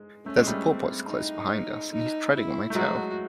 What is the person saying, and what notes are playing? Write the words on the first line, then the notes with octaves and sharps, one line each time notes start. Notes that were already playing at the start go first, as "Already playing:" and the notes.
There’s a porpoise close behind us, and he’s treading on my tail.
Already playing: G#3
A3 C#4
G#3
G3 A3
C4
D#4
D#4
E4
A3
F#3 G#3 F#4